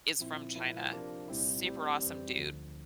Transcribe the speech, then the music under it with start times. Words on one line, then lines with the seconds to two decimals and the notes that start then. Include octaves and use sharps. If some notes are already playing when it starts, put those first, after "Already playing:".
is from China, super awesome dude,
0.19 A#2 F3 C4 E4
0.55 A#2 F3 A#3 E4
0.92 C3 F3 A#3 D4
1.28 C2 A#2 G3 C4 E4
1.65 A2 G3 C4
2.02 F2 E3 G3 C4
2.38 D2 D3 F3